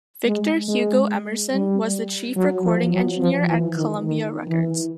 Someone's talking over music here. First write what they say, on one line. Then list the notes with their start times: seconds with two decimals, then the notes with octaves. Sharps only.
Victor Hugo Emerson was the chief recording engineer at Columbia Records.
0.26 G#3
0.69 G#3
1.52 G3
2.37 F#3
2.65 F3
2.93 F#3
3.20 F3
3.48 E3
3.77 D#3
4.05 D#3
4.47 E3